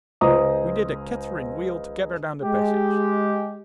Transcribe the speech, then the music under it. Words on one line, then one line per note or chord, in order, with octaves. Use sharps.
We did a Catharine-wheel together down the passage.
C#2 C5 D#5 A#5 D#6
G#3 G4